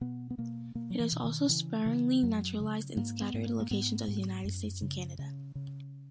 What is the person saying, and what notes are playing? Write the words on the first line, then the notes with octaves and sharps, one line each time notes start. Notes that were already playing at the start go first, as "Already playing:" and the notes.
It is also sparingly naturalized in scattered locations in the United States and Canada.
B2 B3
B3
B2 A#3
B2 A#3
F#3
E3
B2
D#3
C#3 E3
C#3 E3
F#2 F#3
C#3
G#2 A#3
B3
G#2
A#3
A#3
G#2 B3
G#2
F#2
C#3
C#3
C#3